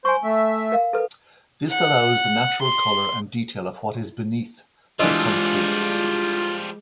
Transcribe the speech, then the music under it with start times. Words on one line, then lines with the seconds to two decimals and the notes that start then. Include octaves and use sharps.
This allows the natural color and detail of what is beneath to come through.
0.05 C5 G#5 C#6
0.24 A3 E5
0.72 A#4 F5
0.93 A4 B4
1.70 F#5
2.63 C6
4.99 E3 F3 G3 G#3 D4 F4 D#5 E6